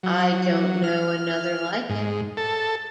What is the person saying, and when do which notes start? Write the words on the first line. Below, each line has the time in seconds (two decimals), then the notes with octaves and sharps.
I don't know another like it.
0.03 F#3
0.84 F6
1.89 G#2
2.37 A4